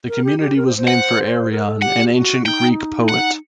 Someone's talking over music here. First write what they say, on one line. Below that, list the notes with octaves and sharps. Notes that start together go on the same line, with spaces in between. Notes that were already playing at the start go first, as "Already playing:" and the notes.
The community was named for Arion, an ancient Greek poet.
A#4
G4
G4
A#4
C5
C5
F#5
A#4
A4
G4 F#5
F#4
D#4 G5
F#5